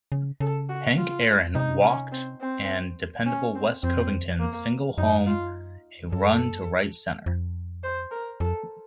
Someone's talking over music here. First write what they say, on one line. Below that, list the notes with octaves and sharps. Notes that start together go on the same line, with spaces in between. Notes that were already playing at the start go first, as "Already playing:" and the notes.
Hank Aaron walked and dependable Wes Covington singled home a run to right-center.
C#3
C#3 A4
F#4
F4
C3 D#4
C#4
C4
C4
C#4
C4
F2 C4
A#3
F#2 D#4
F4
F#2 A4
F2
C5
A#4
F2 A4